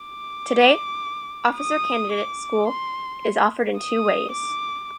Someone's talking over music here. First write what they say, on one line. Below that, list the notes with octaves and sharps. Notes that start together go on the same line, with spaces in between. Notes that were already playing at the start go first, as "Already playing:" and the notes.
Today, Officer Candidate school is offered in two ways.
Already playing: D6
D#6
D6
C6
D#6
D6